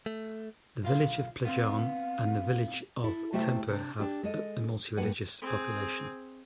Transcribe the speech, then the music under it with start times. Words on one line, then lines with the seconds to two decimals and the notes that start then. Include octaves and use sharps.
The village of Plajan and The village of Tempur has a multi-religious population.
0.06 A3
0.83 B1 F4 F5
1.45 B3 C4 F5
3.04 E4 A4
3.33 C3 A3 E4 G4 C5 E5
3.68 C3 D4
4.00 D4 G4
4.23 G#3 A4 D#5
4.97 G2 A#3 B4 F#5 G#5
5.42 C4 G#4